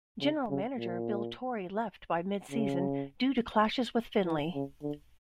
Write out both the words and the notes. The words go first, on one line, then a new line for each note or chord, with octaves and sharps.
General manager Bill Torrey left by mid-season due to clashes with Finley.
C#3
C#3
A#2
C#3
E3
C#3
D3